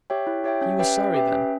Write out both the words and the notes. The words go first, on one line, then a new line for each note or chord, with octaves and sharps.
He was sorry then.
G4 C#5 E5 G5
E4
G4 C#5 E5 G5
C#4
G4 B4 E5 G5
C#4
G4 B4 E5 G5
C#4